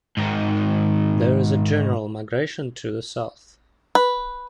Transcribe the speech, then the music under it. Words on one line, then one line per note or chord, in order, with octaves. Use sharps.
There is a general migration to the south.
G#2 D#3
B4